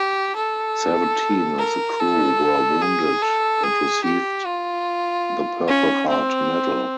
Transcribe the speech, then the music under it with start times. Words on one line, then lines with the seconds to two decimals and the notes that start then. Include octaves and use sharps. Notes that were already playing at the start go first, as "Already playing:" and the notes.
Seventeen of the crew were wounded and received the Purple Heart medal.
Already playing: G4
0.36 A4
1.58 A#4
2.00 A4
2.82 G#4
3.22 A4
3.63 G#4
4.04 G4
4.45 F4
5.68 C#4
6.08 C4